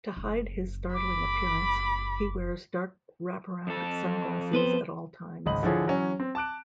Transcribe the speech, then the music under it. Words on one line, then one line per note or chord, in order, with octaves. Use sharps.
To hide his startling appearance, he wears dark wrap-around sunglasses at all times.
F#1
B5 D6
F2 A4
B3 B4 C5
G#1 C#2 D#5 B5 F#7
D3 F3 E4 G#4 C#5
E3 F#3 C#4
C4
A5 D6 F#6 D7